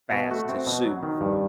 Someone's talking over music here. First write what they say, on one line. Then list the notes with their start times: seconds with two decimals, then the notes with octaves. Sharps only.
fast to sue for
0.12 B2
0.31 A3 F#4
0.49 C4
0.67 B2
0.85 F#3
1.03 D#3
1.21 G2